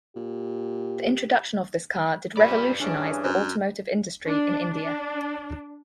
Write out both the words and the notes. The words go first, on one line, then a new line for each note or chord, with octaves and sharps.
The introduction of this car did revolutionize the automotive industry in India.
A#2 G4
A#2 G3 B4 D5 B5
G2 E3 C#4 D4 G#4
F#2
D4
D4